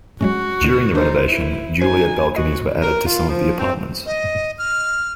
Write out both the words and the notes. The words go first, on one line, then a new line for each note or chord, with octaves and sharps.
During the renovation juliet balconies were added to some of the apartments.
F#3 G#3 C#4 F#4
D2 A2 D3
D4 D#4 A4 C5
E4
C#4 D#4 C5 G#5
F#4 D#5
A#4
F4
F3
C4
D#5
F6